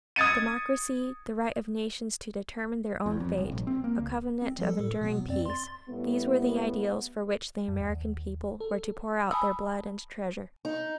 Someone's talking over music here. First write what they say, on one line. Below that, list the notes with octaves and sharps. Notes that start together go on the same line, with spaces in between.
Democracy, the right of nations to determine their own fate, a covenant of enduring peace--these were the ideals for which the American people were to pour out their blood and treasure.
D#6 G#6 A6 C#7 D#7
E2
F2
C2
A#1
C4
A#3
C#2
C4
F3 G3 A4
A2 A4
B2 F#3 B3
F2 C4 D5
C6 A6
A2 G3 A3 B3
F#2
D#2
A4
G#5 A5 B5 D#6 E6
D#4